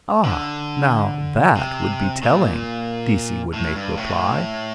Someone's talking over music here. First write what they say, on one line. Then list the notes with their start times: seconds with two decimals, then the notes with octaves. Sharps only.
"Ah, now, that would be telling!" Deasey would make reply.
0.25 D3
1.56 C3
2.23 A#2
3.54 A2
3.75 G2
3.97 A2